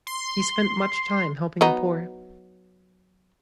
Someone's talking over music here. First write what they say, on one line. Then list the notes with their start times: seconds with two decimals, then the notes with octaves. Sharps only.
He spent much time helping the poor.
0.07 C6
1.61 F#3 B3 D#4